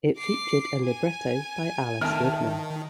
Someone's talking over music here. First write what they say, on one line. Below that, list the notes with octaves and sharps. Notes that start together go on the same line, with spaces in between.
It featured a libretto by Alice Goodman.
D6 C7
G#5
D#3 E5 G5 A5 A#5 F6